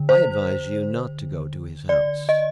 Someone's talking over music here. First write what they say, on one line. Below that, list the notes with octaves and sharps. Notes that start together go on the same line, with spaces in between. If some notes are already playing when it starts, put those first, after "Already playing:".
I advise you not to go to his house.
Already playing: D3
C5
D5
D#5